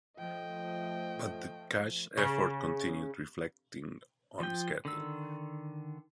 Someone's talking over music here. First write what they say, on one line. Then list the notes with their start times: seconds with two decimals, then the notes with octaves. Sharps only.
But the cash effort continued reflecting on schedule.
0.18 F3 A3 D#5 G5
2.17 C#3
4.40 F3 G5
4.85 D3 D#3 E6